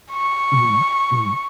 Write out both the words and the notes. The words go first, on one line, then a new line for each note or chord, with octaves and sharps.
Mhm. Mhm.
C#6